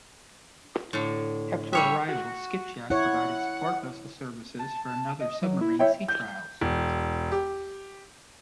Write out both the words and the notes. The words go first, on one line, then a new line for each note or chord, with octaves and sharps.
After arrival "Skipjack" provided support vessel services for another submarine's sea trials.
A2 D3
G3 C#5 E5 G5
F#4
E4 C#5 F#5
A5
D#5
F#3
E4
E4 C#5 E5 G5
G6
E1
G4